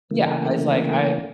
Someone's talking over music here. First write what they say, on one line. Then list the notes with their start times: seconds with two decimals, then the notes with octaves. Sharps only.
Yeah as, like, I
0.11 C#3 E3 A3 A#3